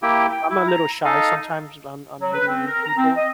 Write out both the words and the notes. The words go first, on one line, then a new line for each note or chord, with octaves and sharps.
I'm a little shy sometimes on on meeting new people.
A#3 E4 G4 G5
G5
E4
A#5
D#4 A4 D#5 F5
F#3
B4
C4
A#4
A#5
C4
D#5